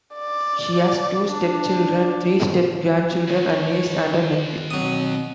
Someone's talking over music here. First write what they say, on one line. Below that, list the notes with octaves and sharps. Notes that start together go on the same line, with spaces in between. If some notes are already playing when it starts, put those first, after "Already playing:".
She has two stepchildren, three step grandchildren, a niece and a nephew.
D5
D4
D#2 C#5
B2 F#3 C4 D#6